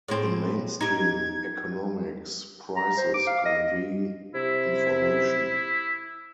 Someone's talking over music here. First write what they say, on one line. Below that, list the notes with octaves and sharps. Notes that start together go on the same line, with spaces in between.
In mainstream economics, prices convey information.
A2 G#3 C4
D#4 G4 G#6
A#5
C5
D6
F5
D#5
C3 E4